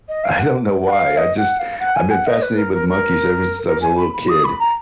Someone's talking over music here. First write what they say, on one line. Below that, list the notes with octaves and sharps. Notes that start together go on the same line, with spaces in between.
I don't know why, I just I've been fascinated with monkeys ever since I was a little kid,
D#5
F5
F#5
F#5
F5
D#5
F#5
F5
F#5
G#5
F#5
D#5
B4
A#4
A#4
A#4
A#4
G#5
B5
B5
D#6
B5
A#5